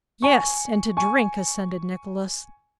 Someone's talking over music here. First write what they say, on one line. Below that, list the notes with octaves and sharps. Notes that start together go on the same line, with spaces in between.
"Yes, and to drink," assented Nicholas.
G#5 C#6
G#5 C#6